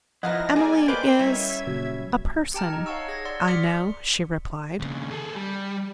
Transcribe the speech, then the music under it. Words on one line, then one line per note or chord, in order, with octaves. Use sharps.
"Emily is--a person--I know," she replied.
F3 B3 E4 D#5 F5 F#5 A#5 A#6
G3 B3 G#4 D5 G#5
A#3 B4 C5 G5 B5 C6 D6
G3 C#4 E4 E5 G#6
A#2 C#3 F#3
G4 G5 A5 A#5 F6
D#4 D#5
C#5 F5 F#5 A5 C#6 E6
G#4 G#6 A#6
D5 F#5 C6 E6
C6 D6 D#6 F6 B6 C#7
D#2 C#3
G#4 A4
G3